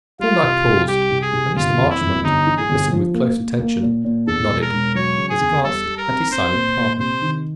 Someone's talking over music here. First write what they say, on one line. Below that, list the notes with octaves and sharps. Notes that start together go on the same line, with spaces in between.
Thorndyke paused, and Mr. Marchmont, who had listened with close attention, nodded, as he glanced at his silent partner.
G3 F4
C2
C2
G3 G4
C2
G#4
C2
G1 F4
F2
E4
F2
G1 D#4
E3
G#4
G1
F3
A#3
A#3
A#3
A#2
A#2
E2 A4
E1
A#4
E1
F#3 C#5
C#3
G#4
E2
G3 A4
G3
A#4
C4
C4 C5
A#2
A#2
C3 C5
D#3